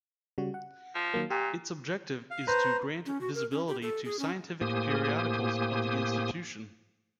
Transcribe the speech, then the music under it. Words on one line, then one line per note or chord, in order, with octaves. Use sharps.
Its objective is to grant visibility to scientific periodicals of the institution.
C#3 G3 F#4
F#5
F3
D#3 F#3 A#3
A#2 G4
F5
B4 C5 A#5
C#4
F#4
A#4
C#4
G4
A4
G#4
C#4
A2 A#3 G4 C5 G#5 D#6